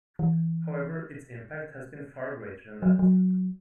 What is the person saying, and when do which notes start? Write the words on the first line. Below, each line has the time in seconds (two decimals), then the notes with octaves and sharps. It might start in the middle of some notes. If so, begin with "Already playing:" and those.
However its impact has been far greater than that.
0.19 E3
2.82 F#3
2.99 F#3